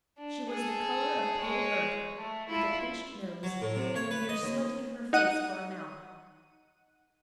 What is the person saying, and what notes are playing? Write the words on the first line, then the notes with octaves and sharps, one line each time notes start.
She was the color of pale earth, with a pinched nose, and a mere slit in her face for a mouth.
D4
G#4 A4
G#3 C#5
A3
E4 F4
F#3
A2
C3
C#5
B4
D#5
D#2
D#4 F#5 D#7